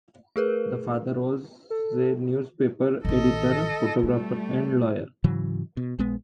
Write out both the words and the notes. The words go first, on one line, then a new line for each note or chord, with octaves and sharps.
Their father was a newspaper editor, photographer and lawyer.
A3 G#4 A#4 B4
A4
A1 D#3 A4 D#5
G3 A3 F4
G#2 C#3 E3 F#3
B2
A#1 G#3 B3